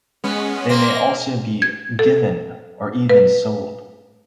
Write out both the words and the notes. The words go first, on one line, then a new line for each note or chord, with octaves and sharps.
They may also be "given" or even sold.
G#3 B3 C#4
A#3 C4 A#6
G#6
A4
B4